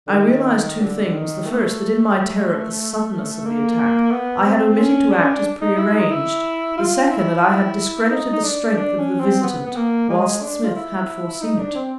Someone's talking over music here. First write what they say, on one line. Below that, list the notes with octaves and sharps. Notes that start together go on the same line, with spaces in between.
I realized two things: the first, that in my terror at the suddenness of the attack I had omitted to act as pre-arranged: the second, that I had discredited the strength of the visitant, whilst Smith had foreseen it.
D3
D#3
D3
D#3
A3
A#3
B3
C4
C#4
D4
C#4
D4
D#4
E4
D#4
E4
F4
E4
D#4
D#4
D4
D4
C#4
C4
B3
B3
A#3
G#3
D4
F4
E4
D#4
D4
C4